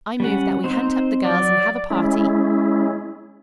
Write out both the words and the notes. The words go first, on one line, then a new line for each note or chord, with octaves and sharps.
I move that we hunt up the girls and have a party.
G3 C#4 F#5
C4 D#4 C5
F#3 D5
G#3 C#4 E4